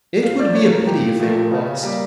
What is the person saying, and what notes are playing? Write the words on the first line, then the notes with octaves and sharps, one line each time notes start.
It would be a pity if they were lost.
A#2 F5
D5
F3 A3 C#5
A#4
A#2 G4
F3 A3
C#3
G3 A#3